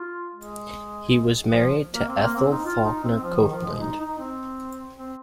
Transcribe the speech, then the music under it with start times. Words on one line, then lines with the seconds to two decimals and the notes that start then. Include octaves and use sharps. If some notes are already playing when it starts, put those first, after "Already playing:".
He was married to Ethel Faulkner Copeland.
Already playing: F4
0.35 G#3
1.50 F3
1.94 A#3
2.08 C4
2.22 A#3
2.36 C4
2.51 D#4
2.66 F4
2.84 D#4
3.04 C4
3.23 F3
3.37 D#3
3.52 F3
3.67 G#3
3.81 D#4
4.00 D#4
4.19 C4
4.96 C4